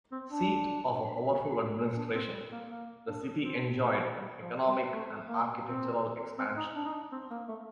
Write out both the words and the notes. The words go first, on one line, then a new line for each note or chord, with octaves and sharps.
Seat of a powerful administration, the city enjoyed economic and architectural expansion.
C4
D4
D4
C4
G3
A#3
A#3
D4
C4
A3
G3
F3
G3
A3
A#3
C4
C4
D#4
D4
D#4
D4
C4
A#3
A3